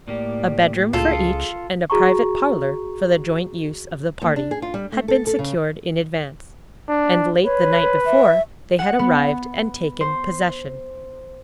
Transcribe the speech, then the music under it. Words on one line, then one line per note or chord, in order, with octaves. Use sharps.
A bedroom for each, and a private parlor for the joint use of the party, had been secured in advance, and late the night before they had arrived and taken possession.
A2 A#3 G4 D5
C#2 F4 G#4 A4
F#4 G#4 A#5 C#6
D#2
D4
G#4
F4
G3
A3
A4
A4
C#3
D4
B4 C#5
E5
F#5
B3
C5